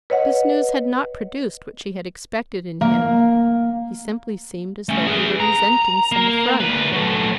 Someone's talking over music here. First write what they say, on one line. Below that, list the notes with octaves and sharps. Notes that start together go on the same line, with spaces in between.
But this news had not produced what she had expected in him; he simply seemed as though he were resenting some affront.
B4 C#5 D#5 F#5
A#3
A3 C#4
G#4 B4
A#5
A#3
D2 B4
F#3 A3